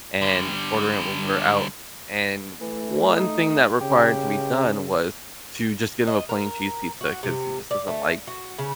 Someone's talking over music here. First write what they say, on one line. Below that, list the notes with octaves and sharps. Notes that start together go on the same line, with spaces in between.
and ordering it when we're out, and one thing that required to be done was to just get him a plain cheese pizza, 'cause he just doesn't like
D3 G3
E3 A3
D#4
C#3 G4
D#5
A#4
F#4
C3
D5
A3
F#4
C#3